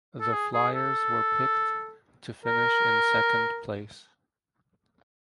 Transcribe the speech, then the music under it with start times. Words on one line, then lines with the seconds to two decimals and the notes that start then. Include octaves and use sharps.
The Flyers were picked to finish in second place.
0.21 A4
0.33 G#4
0.54 G#4
0.75 A4
2.46 A#4